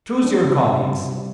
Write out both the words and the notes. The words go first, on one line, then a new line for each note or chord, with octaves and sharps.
"Choose your colleagues."
D4
C3
G3
C3
G3